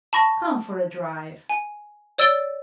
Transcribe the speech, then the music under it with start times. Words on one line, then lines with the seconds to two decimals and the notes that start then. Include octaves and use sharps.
Come for a drive!
0.13 A5 B5 C#6 A#6
1.50 G#5
2.18 C#5 D5 E6 A6 D7 G7